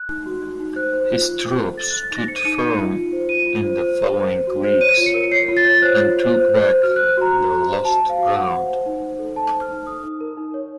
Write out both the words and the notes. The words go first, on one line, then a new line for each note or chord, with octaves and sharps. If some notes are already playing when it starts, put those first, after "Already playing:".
His troops stood firm in the following weeks and took back the lost ground.
Already playing: F#6
D#4
F#4
F#4
D#4
C5 F#6
C5
F4
F4
C5
C5
A4 A6
F#6
A4
A6
D#4 A#6
C5 C#7
D#7
D#4 C#7
D#4
F4
F4
C5
F4 D#7
F4
C5
C5
C5
C5
C5
F#4
C5
C#5 D#7
F4
C#7
A#4
C#5 C7
F4
A6
C#5
C5 F#6
F4
C5
C5
C5
C5
F#4 F6
F#6
C5
F#6
F#4 A#5
F#4
F#4
C5
F#4 A5
C5
F5
F#4
F#4 F#5
C5
C5
D#4
C5
A4
A4 A5
C5
F6
D#4
D#4 D#6
D#4
A#4
D#4
C#5